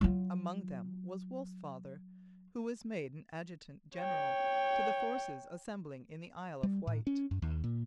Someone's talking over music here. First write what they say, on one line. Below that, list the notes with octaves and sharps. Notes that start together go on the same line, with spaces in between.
Among them was Wolfe's father, who was made adjutant-general to the forces assembling in the Isle of Wight.
F#3 F4
C#5 G5
G3
A2
C#4
F#2
D#2
A#2